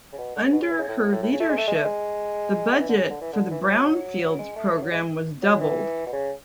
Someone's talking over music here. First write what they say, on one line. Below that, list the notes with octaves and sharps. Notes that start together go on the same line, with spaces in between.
Under her leadership, the budget for the Brownfields program was doubled.
C#3
B2
D3
C#3
B2
C#3
E3
C#3
A2
A2
A2
A2
C#3
A3
G#3
A3
G#3
A3
G#3
G#3
E3
D3
C#3
D3
E3
D3
E3
E3
F#3
G#3
A3
A3
F#3
G#3
F#3
E3
B2
C#3